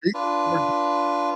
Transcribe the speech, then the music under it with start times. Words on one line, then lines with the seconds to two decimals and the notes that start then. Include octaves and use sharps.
Beat the coordinates.
0.14 D4 F4 B4